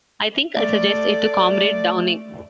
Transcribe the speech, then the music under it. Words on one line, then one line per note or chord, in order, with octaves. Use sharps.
I think I'll suggest it to Comrade Downing.
A3 D5